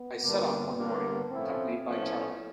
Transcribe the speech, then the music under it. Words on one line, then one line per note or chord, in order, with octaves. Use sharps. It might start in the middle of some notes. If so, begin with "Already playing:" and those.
I set off one morning, accompanied by Charley.
Already playing: B3
G2 D3 G3 A#3
G2 D3 G3 A#3
A2 F3 A3 C4 C#4 E4
A2 F3 A3 B3 C#4 E4